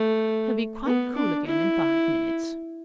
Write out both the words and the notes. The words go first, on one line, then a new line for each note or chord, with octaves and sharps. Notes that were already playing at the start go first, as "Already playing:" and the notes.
He'll be quite cool again in five minutes.
Already playing: A3
B3
D4
E4